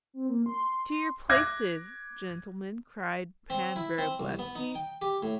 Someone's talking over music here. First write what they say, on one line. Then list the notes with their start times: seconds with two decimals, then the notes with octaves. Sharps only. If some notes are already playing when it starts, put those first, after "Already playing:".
"To your places, gentlemen," cried Pan Vrublevsky.
0.14 C4
0.29 A#3
0.46 C6
1.29 D6 F#6 G#6 A#6
3.50 C4
3.76 E4
3.98 C4
4.19 C2
4.39 B3
4.56 D#4
4.75 G5
5.02 G4
5.22 A2